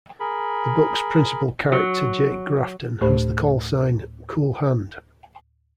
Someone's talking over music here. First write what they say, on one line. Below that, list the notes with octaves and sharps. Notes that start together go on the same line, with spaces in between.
The book's principal character Jake Grafton has the call sign "Cool Hand".
G#4 A#4 B5
F#3
D2 A2 A3 G4 C5 B5